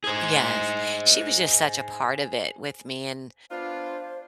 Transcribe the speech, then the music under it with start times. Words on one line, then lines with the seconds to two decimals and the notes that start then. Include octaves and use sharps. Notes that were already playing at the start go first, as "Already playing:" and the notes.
Yes. She was just such a part of it with me, and
0.04 G#4 C5
3.51 B3 D4 F4 C5 F5